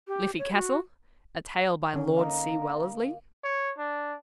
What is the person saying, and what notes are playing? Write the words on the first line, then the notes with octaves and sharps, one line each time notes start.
"Liffey Castle," a Tale by Lord C. Wellesley.
G4
C#5
F#4
D3 C#4
A#3 D#4 A#5
C#5
D4